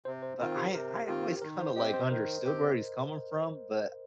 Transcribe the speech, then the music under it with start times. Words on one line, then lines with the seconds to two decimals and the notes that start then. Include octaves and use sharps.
but I I always kinda, like, understood where he's coming from. But,
0.05 C3 C5
0.23 C5
0.40 D#3 C4 F4 A#4
0.56 G4
0.74 C3 A#4
1.08 D#3 C4 F4 G4
1.42 D#3 A#4
1.59 C5
1.76 C4 G4 D#5
1.94 C5
2.10 D#3 A#4
2.44 C4 G4